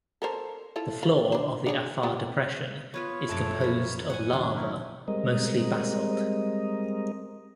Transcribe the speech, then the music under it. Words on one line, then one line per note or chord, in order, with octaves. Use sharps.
The floor of the Afar Depression is composed of lava, mostly basalt.
A4 A#4 C5
E4 F4 A4
F4 C5
D4 C5
D4 G#4 C#5
B3 F4 G4
B3 F4 B4 C#5
A#1 F#2 A3 A4 D6
A#3 B5
F#5 G#5
D#3 F#3 D4
C#4 D#4 E4
G3 G#3 C4 A#4 D#5